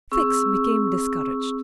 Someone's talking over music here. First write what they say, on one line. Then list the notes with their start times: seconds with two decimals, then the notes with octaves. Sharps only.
Fix became discouraged.
0.12 C4 G#4 C#6 E6